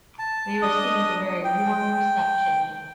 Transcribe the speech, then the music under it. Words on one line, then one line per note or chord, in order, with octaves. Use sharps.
They received a very warm reception.
A5
D4 D#5 D#6
G5